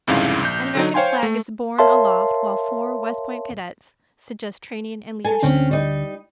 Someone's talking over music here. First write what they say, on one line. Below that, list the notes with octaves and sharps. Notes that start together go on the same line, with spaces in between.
An American flag is borne aloft while four West Point cadets suggest training and leadership.
C2 F2 G#2 C#3 E4 F5
A#1 G6
D3 F#3 D#4
C5 C#5 F5 G5 G#5 C6
A3
A#4 C#5 E5 F5 A5 C6
A4 G#5
D2 D3 C4 C#4
G3 D#4